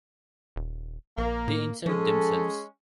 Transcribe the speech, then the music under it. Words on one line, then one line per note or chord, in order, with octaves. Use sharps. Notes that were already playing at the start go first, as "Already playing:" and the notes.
They insult themselves.
D#1
A#1 A#3
A2
F3 G#3 C#4 A4